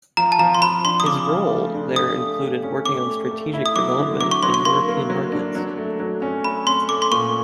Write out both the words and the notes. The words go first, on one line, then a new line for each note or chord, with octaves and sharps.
His role there included working on strategic development and European markets.
F3 A#5
A5
F3 A#5
C6
F3 B5
D4 C6
D#6
C#3 D6
C#3
A3
D4
G4 D#6
A3
G4
C#4
C#4 D6
A3
A3
E4
D#6
F#3 D6
D3
F#3 D6
C#6
F#3 C6
C#6
A#3 C6
A#3
F#3
D4
F#3
A3
F#3
C#4
A3 B5
C#4 C6
A3 D6
C6
A#2 C#6